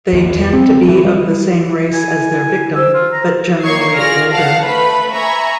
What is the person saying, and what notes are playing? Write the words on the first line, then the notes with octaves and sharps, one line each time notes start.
They tend to be of the same race as their victim, but generally older.
D#2
E2
C4
E3
G3
E4
G#5
C5 E6
F4
A#5
A#3 C#5 C#6 G#6 C7
F4 G#4 D5 F6 A#6
F5 F#5 A5
A3 B4 B5
E5 G#5 A#5 B5 C#6